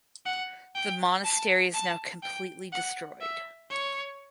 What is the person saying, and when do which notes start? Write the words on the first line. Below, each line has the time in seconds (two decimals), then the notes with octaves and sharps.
The monastery is now completely destroyed.
0.26 F#5
0.75 G5
1.24 A5
1.74 A5
2.23 G5
2.72 F#5
3.21 E5
3.70 C#5